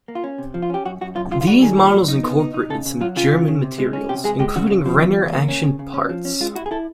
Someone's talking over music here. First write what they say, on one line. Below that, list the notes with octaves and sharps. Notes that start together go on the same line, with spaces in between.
These models incorporated some German materials including Renner action parts.
A#3
F4
C#4
C3
F3
F4
C#4 G4
F#2 F#4
F#2 F#4
F#2 F4
F#2 F4
F4
G3 F#4
D#3 G#4
A#2
F#3
D#4
B3
D#4
D#4
C#3 A4
C#3
F#3 F4
C#3 F4
C#3
C#3
C3
G#3
C#4
C3 G4
G#3 G#4
G#3 G4
C#3 F#4
C#3
F3
E2
E2
A#3
C#4
C#3
C#3
C#4
F3
C#4
G#3 F4
E4 F#4
G#4
E4 A4